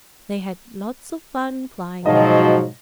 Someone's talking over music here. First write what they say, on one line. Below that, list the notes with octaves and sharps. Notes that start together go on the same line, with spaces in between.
They had lots of fun flying it.
G#2 B2 F3 F#3 D#5